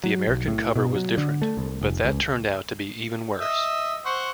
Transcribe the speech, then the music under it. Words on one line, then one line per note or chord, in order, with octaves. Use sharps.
The American cover was different, but that turned out to be even worse!
F#3
B1
A2
B2
F#3
D3
A3
C2
F1
C#2
D#5 E5
C5 F#5 C#6